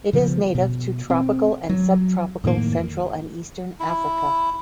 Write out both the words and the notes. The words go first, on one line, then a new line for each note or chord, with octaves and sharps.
It is native to tropical and subtropical central and eastern Africa.
C#3 F3 B3
B2
C4
F#3
F2 A2 D#3 A#3
E4